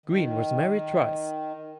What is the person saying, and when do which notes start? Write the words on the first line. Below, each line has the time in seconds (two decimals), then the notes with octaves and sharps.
Green was married twice.
0.06 D#3